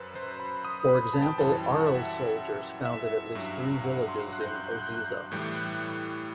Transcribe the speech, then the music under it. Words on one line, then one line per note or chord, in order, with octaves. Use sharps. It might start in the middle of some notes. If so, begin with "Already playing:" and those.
For example, Aro soldiers founded at least three villages in Ozizza.
Already playing: F#2 F#3 B4 C5
C5
B5
D#6
B5
A5
G5
F#2 E3 G3 A5
G5
F#5
E5
E5
G2 F#3
F#5
C6
F#6
G6
F#6
G6
F#6
G6
F#6
G6
F#6
A2 E3 G3 G6
F#6